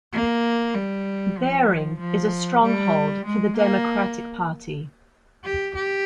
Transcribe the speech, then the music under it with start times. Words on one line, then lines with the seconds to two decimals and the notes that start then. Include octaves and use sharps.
Baring is a stronghold for the Democratic Party.
0.12 A#3
0.74 G3
1.37 F3
1.99 F3
2.62 G3
3.25 G#3
3.57 A#3
5.44 G4
5.75 G4